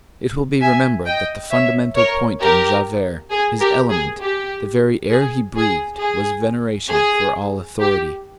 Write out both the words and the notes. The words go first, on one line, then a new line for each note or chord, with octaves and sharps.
It will be remembered that the fundamental point in Javert, his element, the very air he breathed, was veneration for all authority.
E5 G#5
D#5 G5
C#5 E5
A#4 C#5
G4 A#4
G#4
G4 A#4
G#4
G4
G#4
G#4
G#4
G#4
G4